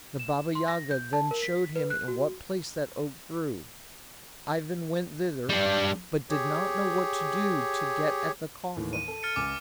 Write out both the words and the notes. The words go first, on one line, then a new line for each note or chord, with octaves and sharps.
The Baba-Yaga then showed him in what place that oak grew: Ivan went thither, but did not know what to do to get at the coffer.
E7
C6
A#6
G6
A5
A#4
B6
B4
F#6
F#4
G3 D4
G4 G#4 C#5
D#2 A2 E3
D#7
A4
F6 A6 C#7
C#2 G#5 D6